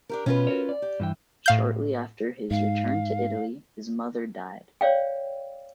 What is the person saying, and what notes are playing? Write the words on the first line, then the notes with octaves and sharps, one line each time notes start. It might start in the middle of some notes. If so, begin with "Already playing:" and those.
Shortly after his return to Italy, his mother died.
D4 G4 A#4
B2 C#4 F4 B4
F#4 A#4 C#5
D5
G4
G2 E3 G5
A2 F5 G6
G#2 F5
C#5 D5 F5 G5